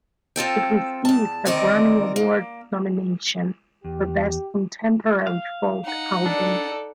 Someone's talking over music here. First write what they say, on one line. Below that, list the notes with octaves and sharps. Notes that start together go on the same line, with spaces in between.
It received a Grammy Award nomination for Best Contemporary Folk Album.
C4 F4 A4 G5
E2 A5
D2 D#3 C4 A#4 D5 D#5
A#3
E2 G4
F5
D#4 F#5
D4 A4 D5